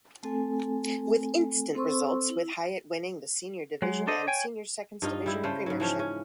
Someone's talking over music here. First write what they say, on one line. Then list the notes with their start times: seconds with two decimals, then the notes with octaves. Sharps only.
With instant results with Highett winning the Senior Division and Senior Seconds Division premiership.
0.23 A3 C4 A4 G#5
1.75 C4 A4 C5 C6 C#6 E6
2.30 E4
3.82 F#3 G#3
4.07 D4 A4 C5 D#5
4.27 C#5 G5 G#5
5.02 G2 D#4 F4
5.26 G3 E4
5.43 C#3 A3 C5
5.66 G#2 F#3
5.80 E3 F3 C#4
5.99 C#4